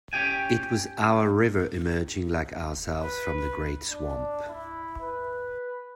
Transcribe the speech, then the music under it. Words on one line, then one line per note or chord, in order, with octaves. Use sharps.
It was our river emerging like ourselves from the great swamp.
C#4 G4 G5 G#5
B4
D4
E4
B4